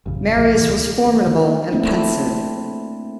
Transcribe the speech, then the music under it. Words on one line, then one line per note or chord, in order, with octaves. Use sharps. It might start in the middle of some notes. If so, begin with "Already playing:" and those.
Marius was formidable and pensive.
A1 F#2 C#3
B1 A#2 D#3 F3
D2 C3 E3
D#3
A3 A#3 C4 D4 E4